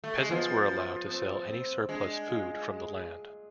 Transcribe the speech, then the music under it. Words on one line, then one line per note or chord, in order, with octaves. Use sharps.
Peasants were allowed to sell any surplus food from the land.
A3
G#3
F3 B3
C4
C4
G#3 D4
F4